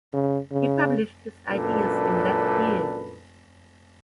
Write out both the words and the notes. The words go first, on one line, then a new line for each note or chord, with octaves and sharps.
He published his ideas in that year.
C#3
C#3
C#2 F#2 A#2 D4 A4 B4